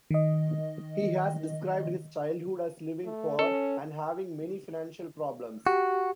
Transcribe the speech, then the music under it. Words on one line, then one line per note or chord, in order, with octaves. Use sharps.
He has described his childhood as living poor and having many financial problems.
D#3 D#5
A3
C#4 A4
F#4 G4